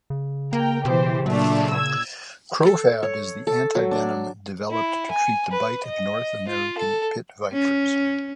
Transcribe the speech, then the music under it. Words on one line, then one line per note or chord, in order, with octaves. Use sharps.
Crofab is the antivenom developed to treat the bite of North American pit-vipers.
C#3
A#3 A#4 G5
B2 E3 G4 C5
A#2 F#3 A3 D4
E6 G#6
A4
C#5
A4
F#3
D4
E4
G#5
B4
D#5
F4
A4
C#4